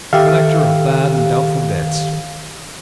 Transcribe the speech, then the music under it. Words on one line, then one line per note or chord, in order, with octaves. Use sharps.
Collector of bad and doubtful debts.
D#3 G4 A4 E5 F5